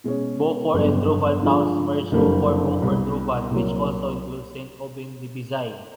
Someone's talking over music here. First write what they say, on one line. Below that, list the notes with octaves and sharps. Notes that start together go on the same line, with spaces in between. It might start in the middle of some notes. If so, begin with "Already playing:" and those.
Beaufour and Druval towns merged to form Beaufour-Druval, which also includes Saint-Aubin-Lébizay.
B2 G#3 C#4
G1 F2 C#3 F#3 B3
G2 D3 F3 G#3
F#1 F2 D3 G3 A#3
C2 B2 G3 B3
C2 A#2 F#3 A#3